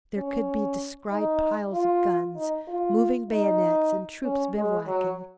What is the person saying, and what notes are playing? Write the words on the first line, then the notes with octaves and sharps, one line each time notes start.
There could be descried piles of guns, moving bayonets, and troops bivouacking.
C#4
D#4
F4
D#4
F4
D#4
C#4
G#3
F#3